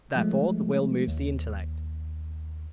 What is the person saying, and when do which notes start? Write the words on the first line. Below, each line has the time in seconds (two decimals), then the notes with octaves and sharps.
Therefore the will moves the intellect.
0.16 F3 G#3 A3
1.08 D#2